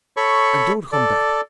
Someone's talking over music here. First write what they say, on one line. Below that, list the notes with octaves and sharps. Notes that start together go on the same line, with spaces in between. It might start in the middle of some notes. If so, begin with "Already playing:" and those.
And don't come back.
A4 C#5 B5 C#6
A4 D5